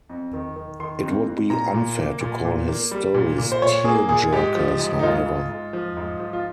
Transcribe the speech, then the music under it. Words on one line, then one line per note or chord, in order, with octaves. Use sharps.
It would be unfair to call his stories tearjerkers however.
F2
D#3
D#3
D#3 C6
F2
F2
A#2 A#5
A#2
A#3
A#2
A#2
A#3
G3
A#2
A#2
C5
A#2 C#5
A#3 G#4
A#2 G#4
G#2 G4
F3
G#2
D#4
G#2 F4
G#2
G#2
F3
G#2
F3
F4